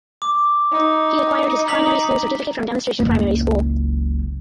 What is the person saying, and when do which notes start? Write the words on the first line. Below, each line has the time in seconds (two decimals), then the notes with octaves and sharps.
He acquired his primary school certificate from Demonstration primary school.
0.22 D6
0.72 D#4
1.68 D#4 A#5 B6 F#7
3.00 F#1 C#2